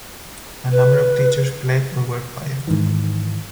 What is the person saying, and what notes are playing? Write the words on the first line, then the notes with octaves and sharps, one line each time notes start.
A number of teachers fled or were fired.
B4
G#2 D#3 E3